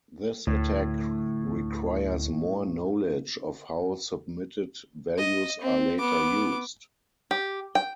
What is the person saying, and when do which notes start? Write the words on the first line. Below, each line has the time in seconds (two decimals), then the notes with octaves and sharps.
This attack requires more knowledge of how submitted values are later used.
0.47 D2 A2
5.17 D#5
5.61 C4
5.98 B3 D6
7.31 G4
7.75 G5